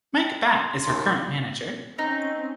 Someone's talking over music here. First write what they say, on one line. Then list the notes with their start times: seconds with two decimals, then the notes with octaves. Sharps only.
Mike Batt, is her current manager.
0.17 G5
0.46 C6
0.87 D#2
1.99 C4 C#4 D#4